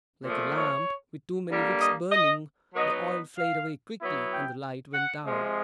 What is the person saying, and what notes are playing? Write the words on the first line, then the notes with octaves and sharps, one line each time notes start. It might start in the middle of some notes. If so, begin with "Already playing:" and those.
Like a lamp with too many wicks burning, the oil flared away quickly, and the light went out.
A#2 F3 A3
C#5
D3 G3 A#3
D#5
D#5
F#3 B3 D#4 D#5
F5
F#3 B3 E4
G5
F#5
C3 F3 G#3